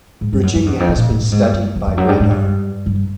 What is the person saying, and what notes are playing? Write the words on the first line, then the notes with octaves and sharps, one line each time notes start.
Virginia has been studied by radar.
G#2
G2
F#2
F2
E2
F2
B2
A#2
A2
A2
G#2
G2
F#2
F2
F2
F#2
G2
G#2
G2
G2